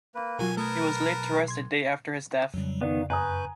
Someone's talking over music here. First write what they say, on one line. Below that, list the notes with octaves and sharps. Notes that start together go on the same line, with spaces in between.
He was laid to rest a day after his death.
A#3 B4
B1 F#3 F4 F#4 A#4 G#5
A3 A#4 B4 A5 D#6 G#6
C6 G#6
F2 C#3 F#3 G3
D#3 B3 D5 F5
F#2 B4 G#5 A#5 C#6 D#6 G6